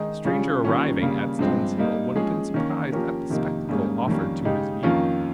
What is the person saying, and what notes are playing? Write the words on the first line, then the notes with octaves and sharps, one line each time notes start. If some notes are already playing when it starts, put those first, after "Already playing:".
A stranger arriving at Stones Hill would have been surprised at the spectacle offered to his view.
Already playing: D#3 G#3 D#4 G#4
C#3 G3 C#4 F4 G#4
D#3 G3 A#3 C#4 F4
C#3 G3 A#3
G2 F3 G#3 C4
G3 A#3 D#4
F3 G#3 C#4 G#4
D#3 A#3 C#4
F3 A#3 C#4 G4 A#4
F2 C3 D#3 A#3 D#4
G#2 G3 A#3 C#4 G#4
F2 D#3 G3 A#3 C#4
C#3 G#3 D#4 G4
F2 D#3 A#3 C#4 F4